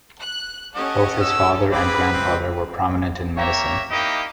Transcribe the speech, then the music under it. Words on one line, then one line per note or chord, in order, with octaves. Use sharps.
Both his father and grandfather were prominent in medicine.
F#6
C#4 G4 A4 D#5 F#5
E6
C4 G#4 B4 B5 D6
C#2 C4
A#3 G4 C#5 E5 A#5
A#3 D#4 E4 G4 D#5